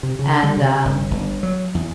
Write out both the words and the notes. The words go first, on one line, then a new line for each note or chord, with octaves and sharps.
and, um,
C3
C#3
G3
C3
G1
G1
F#3
E2